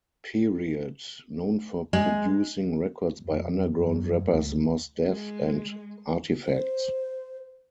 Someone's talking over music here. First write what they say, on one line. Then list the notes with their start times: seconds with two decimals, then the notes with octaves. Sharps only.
Period, known for producing records by underground rappers Mos Def and Artifacts.
1.93 G#3
3.22 F2
3.77 F#2
4.31 D2
5.07 G#3
6.45 C5